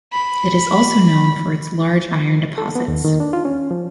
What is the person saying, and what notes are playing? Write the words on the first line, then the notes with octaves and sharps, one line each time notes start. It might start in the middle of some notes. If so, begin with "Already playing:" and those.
It is also known for its large iron deposits.
B5
A4
B3
D#2
D#3
D4
F4
C#4
F3